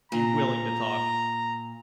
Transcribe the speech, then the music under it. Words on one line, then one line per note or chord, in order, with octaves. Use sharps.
be willing to talk.
A#2 A#5